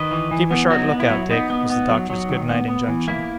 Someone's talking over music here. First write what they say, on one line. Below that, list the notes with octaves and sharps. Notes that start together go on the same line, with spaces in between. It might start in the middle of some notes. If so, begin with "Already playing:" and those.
"Keep a sharp lookout, Dick!" was the doctor's good-night injunction.
Already playing: D#3 B4 D#5
E3
E3
B3
F#3 D#4 F#4
B3
E4
F#3
B3 D#4
B3
B3
F#3
F#3
D#3
B3
B3
E3
A#3 E4